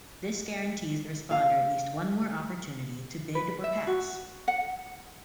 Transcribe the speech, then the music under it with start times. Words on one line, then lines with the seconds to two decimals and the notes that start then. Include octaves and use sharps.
This guarantees the responder at least one more opportunity to bid or pass.
1.31 F5
3.35 B4
3.64 E5
3.87 F#4
4.48 F#5